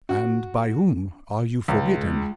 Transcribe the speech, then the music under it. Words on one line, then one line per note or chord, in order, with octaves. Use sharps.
"And by whom are you forbidden?"
F#4
C#2 G#3